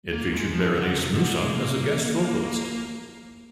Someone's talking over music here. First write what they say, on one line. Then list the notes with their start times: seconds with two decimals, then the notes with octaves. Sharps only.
It featured Berenice Musa as a guest vocalist.
0.13 A#3
0.34 G#3
0.53 F3
0.74 D3
0.94 C3
1.14 D3
1.34 G#3
1.54 A#3